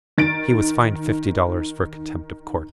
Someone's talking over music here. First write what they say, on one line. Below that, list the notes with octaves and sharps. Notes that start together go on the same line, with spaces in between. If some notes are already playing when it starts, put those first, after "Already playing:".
He was fined fifty dollars for contempt of court.
D#3 A6 D7